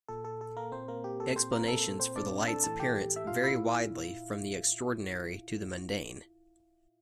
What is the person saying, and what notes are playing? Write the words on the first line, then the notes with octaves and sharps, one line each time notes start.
Explanations for the light's appearance vary widely from the extraordinary to the mundane.
A#2 A4
A4
A4
A#3 A#4
A#2 C4 C5
A#3 A#4
G4
A4
A#2 C4 C5
A#3 A#4
A4
A4
A#2 C4 C5
D4 D5
A4 A5
A2 E3 A4 A5
G4 G5
E5
A#2 F4 F5
E4 E5